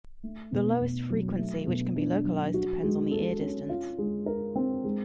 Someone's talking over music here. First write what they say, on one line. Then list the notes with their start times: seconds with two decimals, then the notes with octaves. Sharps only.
The lowest frequency which can be localized depends on the ear distance.
0.23 A3
0.52 B2
0.82 B2
1.10 F#3
1.38 A3
1.67 B2
1.96 D4
2.25 F#3
2.54 F#4
2.83 G#3
3.11 A4
3.41 C#4
3.69 F4
3.98 G#3
4.26 A#4
4.56 C4
4.84 G#3